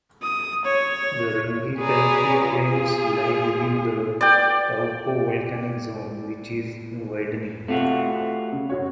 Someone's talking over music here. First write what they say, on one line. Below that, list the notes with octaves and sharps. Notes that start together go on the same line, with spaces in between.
The Rangitaiki Plains lie within the Taupo Volcanic Zone, which is widening.
D#6
C#5
G#4 B4 C#5 D5 A#5
F4 G#4
D5 G5
C3 A3 F4 F#4
C#3
F#2 F#4 C#5